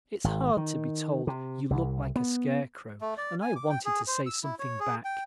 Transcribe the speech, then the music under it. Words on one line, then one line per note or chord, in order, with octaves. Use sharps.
It's hard to be told you look like a scarecrow and I wanted to say something back.
G#1
D#3
C3
C2
B3
A3
D5
G#5
D6
G5
G#4
C5
E6
E4
C#5
G#4
G5